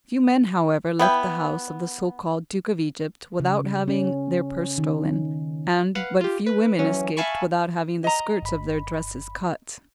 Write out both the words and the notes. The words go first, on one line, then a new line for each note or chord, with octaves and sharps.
Few men, however, left the house of the so-called Duke of Egypt without having their purses stolen, and but few women escaped without having the skirts of their dresses cut.
B3 E4 G5
C#3
C#4
D#3
B4 F5 F#5
F4 G4
B4
E3 F#3 C#4
E5 F5 G#5 A5 B5 C#6
D#5 A#5
G1 B5